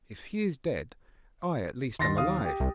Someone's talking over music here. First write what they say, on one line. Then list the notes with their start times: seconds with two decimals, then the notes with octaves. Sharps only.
If he is dead, I at least am alive.'
1.99 D#2 C6 A6 A#6
2.17 F5 D#6
2.45 G4
2.60 C2